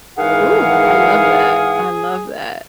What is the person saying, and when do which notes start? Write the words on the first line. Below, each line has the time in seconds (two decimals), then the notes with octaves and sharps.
Ooh, I love that, I love that.
0.18 C#2 G#2 D#3 E3 G#4 F5 F#5